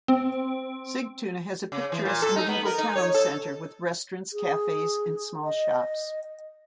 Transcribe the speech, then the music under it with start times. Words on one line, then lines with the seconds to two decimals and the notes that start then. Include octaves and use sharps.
Sigtuna has a picturesque medieval town centre with restaurants, cafes and small shops.
0.08 C4
1.72 C#3
1.92 E3
2.05 A#2
2.22 A4
2.36 D#4
2.49 B3
2.65 A#4
2.78 D#4
2.96 C#5
3.14 A4
4.33 G#4
5.43 D#5